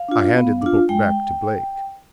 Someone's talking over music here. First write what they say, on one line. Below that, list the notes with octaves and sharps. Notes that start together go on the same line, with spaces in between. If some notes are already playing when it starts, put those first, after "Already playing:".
I handed the book back to Blake.
Already playing: F5
D4 F4
B3
D4 F4
G#3 G5